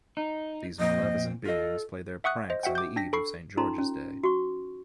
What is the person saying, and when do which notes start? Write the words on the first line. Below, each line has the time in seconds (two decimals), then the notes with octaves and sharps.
These maleficent beings play their pranks on the eve of St. George's Day.
0.17 D#4
0.80 F2 A#2 C4 D#5
1.46 F4 A4 D#5
2.24 E5 F#5 C#6 D#6 F#6
2.50 C5 D#5
2.63 F#4 E5 F#5 G5
2.75 D6 G6
2.96 D4 G5 A#6 B6
3.13 A4 B5 C#6 C7
3.57 C#4 D#4 F4 A4 A#5 C6
3.78 C#4
4.23 F#4 C#6